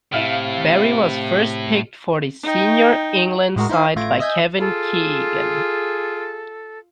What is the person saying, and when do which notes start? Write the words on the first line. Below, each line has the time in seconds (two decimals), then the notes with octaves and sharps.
Barry was first picked for the senior England side by Kevin Keegan.
0.13 A2 C3 E4 F5 F6
2.43 D#4 G5
3.56 A2 G#3 F#4 A#4
3.69 D#4 E4 C5 F5
3.96 A1 A3 F4 G#6 A#6 D7
4.20 D#5 E5 G#5 G6 G#6
4.60 F4 G#4 A4